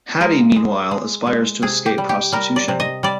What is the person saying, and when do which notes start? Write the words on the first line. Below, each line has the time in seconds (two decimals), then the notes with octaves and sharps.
Hattie, meanwhile, aspires to escape prostitution.
0.21 G#3 A#4
0.56 G#3
0.91 G#3
1.27 G#3
1.62 C3 G#4
1.86 G4
1.98 G3
2.09 G4
2.32 G3 A#4
2.56 D5
2.68 C3
2.80 D#5
3.03 G3 D5